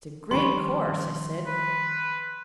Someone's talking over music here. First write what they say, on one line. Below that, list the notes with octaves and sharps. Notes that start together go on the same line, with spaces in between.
"It's a great course," I said.
D#3 F3 G3 C#4 G4 B5 C6
B4